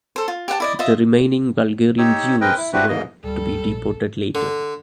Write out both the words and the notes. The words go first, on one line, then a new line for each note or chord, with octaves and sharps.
The remaining Bulgarian Jews were to be deported later.
A4 C5
F4
G4 C5 F#5 A5
E4 D5 D#5
F4 C5 D#5 E5
D#4 G4 C#5 E6
G#3 C4 A#4 B4 D#5 G5
E4
C4 D4 E4 F#4 G4 B4
E2 G#2 A#3 D#5
D1 G3 A4
A#1
D3